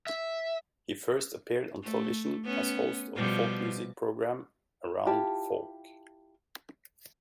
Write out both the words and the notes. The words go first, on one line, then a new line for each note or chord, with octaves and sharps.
He first appeared on television as host of the folk music programme "Around Folk".
E5
A3
B3 C#4
B2 F3 G3
E4 F4 G4 A5